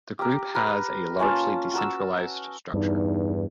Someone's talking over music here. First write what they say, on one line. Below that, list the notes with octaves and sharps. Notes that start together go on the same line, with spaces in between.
The group has a largely decentralised structure.
G4 A#4
A#4 B4
A#3 C#4 F4 A5
F#4 A#4 A5 E6
E2 G2 D#4